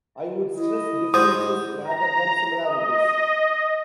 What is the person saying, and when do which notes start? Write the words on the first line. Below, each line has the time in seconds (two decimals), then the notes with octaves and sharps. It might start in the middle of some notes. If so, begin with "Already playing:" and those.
I would stress differences rather than similarities.
0.55 E4 D#5
1.14 G#2 F#4 C5 D#6
1.83 A#5
2.62 D#5